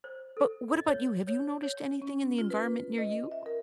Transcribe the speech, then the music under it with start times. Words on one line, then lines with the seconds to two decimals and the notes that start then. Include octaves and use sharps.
But what about you? Have you noticed anything in the environment near you?
0.04 C5
0.37 A4
0.75 D#5
0.87 C#5
1.27 C#5
1.63 C#5
2.02 C#4
2.38 F4
2.50 B4
2.98 D#5
3.32 E5
3.46 A#4